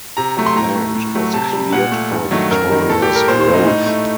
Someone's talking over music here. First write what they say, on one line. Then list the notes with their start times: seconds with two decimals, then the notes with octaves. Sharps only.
Land was cleared for Victoria's growth.
0.17 C3 A#5
0.37 F#3 A3
0.46 C6
0.56 A2 A#5
0.75 A3
0.95 A2
1.15 F#3 A3
1.34 C3 A5
1.53 G3
1.72 A#2 F#5
1.92 A3
2.11 G2
2.31 D#3 F#3 A3
2.51 F#2 A#4
2.69 D#3 G3
2.90 A2 A4
3.02 G4
3.09 G3
3.15 A#4
3.28 A#2 C5
3.41 C5
3.48 A3
3.54 D#4
3.67 A2 D#4
3.86 A3